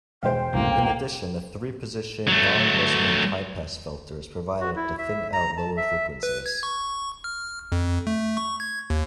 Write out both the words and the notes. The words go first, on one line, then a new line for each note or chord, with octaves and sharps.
In addition, a three-position non-resonant highpass filter is provided to thin out lower frequencies.
E1 G#3 C5 F5 G5
C2 F#2 A2 A#3
F#3 A3
F#4
E4
E5
A#5
A5
E5
B4
G#6
C#6
F6
F2
A3
C#6
G#6
D#2